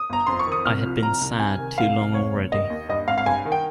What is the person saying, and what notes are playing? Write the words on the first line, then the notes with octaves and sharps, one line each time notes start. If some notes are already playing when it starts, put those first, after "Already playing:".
I had been sad too long already.
Already playing: D#6
G1 A#5
F2 C6
C#6
D#3
D#6
C2 F6
F3
C2 A#5
C2
C3 G#5
D#3
C2 F5
C2
F1 C#5
F1
D#2 D#5
D#2
G2 D#5
G#1 F5
F5
G2 G#5
D#3
G5